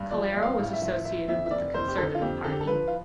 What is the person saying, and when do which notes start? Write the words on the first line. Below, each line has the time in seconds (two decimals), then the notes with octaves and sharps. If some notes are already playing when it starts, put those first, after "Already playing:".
Calero was associated with the Conservative Party.
Already playing: G2
0.11 F3 D5
0.34 G2
0.43 F5
0.58 A1
0.73 E5
0.82 F3
1.05 F3 E5
1.28 F2 E5
1.46 E5
1.51 F1 D5
1.74 F1 C5
1.88 G4
1.98 D3 A4
2.15 F4
2.22 F2 G4
2.44 D3 A4
2.52 G4
2.61 A4
2.67 F3 B4
2.87 F4